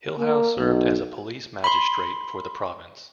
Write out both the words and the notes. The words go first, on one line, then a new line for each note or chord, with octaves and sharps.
Hillhouse served as a police magistrate for the province.
A#3
B1
B5 C6